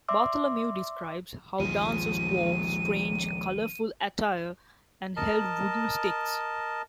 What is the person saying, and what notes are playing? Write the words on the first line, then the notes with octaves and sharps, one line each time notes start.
Bartholomew describes how dancers wore "strange, colorful attire" and "held wooden sticks".
D5 E5 C6 D6 E6
A#1 D#2 F3 G#3 D#7
A#4 D#5 A5